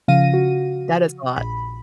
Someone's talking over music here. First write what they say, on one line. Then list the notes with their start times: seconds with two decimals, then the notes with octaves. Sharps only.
That is a lot.
0.08 C#3 F3 F5 A#6 D#7
0.34 F#4
1.36 A#1 B5